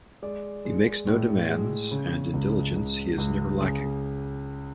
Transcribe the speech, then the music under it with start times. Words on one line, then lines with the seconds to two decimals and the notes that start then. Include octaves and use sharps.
He makes no demands, and in diligence he is never lacking.
0.23 G#3 D5
0.65 G#3
1.07 A2
1.49 G#3
1.91 C#3
2.34 C#2
2.76 C#2
3.18 C#2
3.61 C#3 G#4